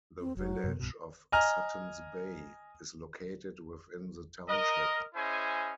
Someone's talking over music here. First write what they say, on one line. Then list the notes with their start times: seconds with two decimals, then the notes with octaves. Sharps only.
The village of Suttons Bay is located within the township.
0.21 C4
0.37 F1 F#3
0.64 F#2 C3 B3
0.79 C2 G2 B2
1.32 D#5 G#5 A#5 F6
4.48 A#4 D#5
5.14 C#4 E4 G#4 C5 D#5 G#5